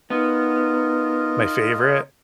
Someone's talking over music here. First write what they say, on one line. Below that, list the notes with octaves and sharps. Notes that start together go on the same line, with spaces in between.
my favorite.
B3 D#4 F4 A#4 D#5